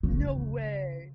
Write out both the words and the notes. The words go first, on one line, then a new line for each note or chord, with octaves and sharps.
No way!
C#3